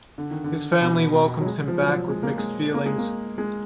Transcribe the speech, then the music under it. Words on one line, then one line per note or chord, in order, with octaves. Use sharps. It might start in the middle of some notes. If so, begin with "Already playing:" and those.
His family welcomes him back with mixed feelings.
D3
D#3
D3
B2
B2
F#3
G#3
F3
F#3
F3
G#3
A#3
G#3
A#3
G#3
A#3
G#3